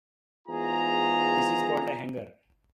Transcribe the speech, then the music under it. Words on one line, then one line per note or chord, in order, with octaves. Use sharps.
This is called a hanger.
E2 G#2 F4 G#4 A#5